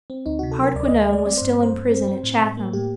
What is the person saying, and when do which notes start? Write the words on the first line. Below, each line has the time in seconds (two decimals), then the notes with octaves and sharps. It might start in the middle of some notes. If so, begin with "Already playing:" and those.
Hardquanonne was still in prison at Chatham.
0.10 C4
0.26 D2 D#4
0.39 C3 F#4
0.52 A4
0.60 F#3 A#4
0.75 D2 D5
0.88 D2 D#5
1.09 A3 D5
1.26 C4 D5
1.37 G2 C5
1.59 G2 C5
1.74 G2
1.91 C4
2.08 C4
2.23 A2
2.41 A2
2.57 A#3
2.73 A2 G4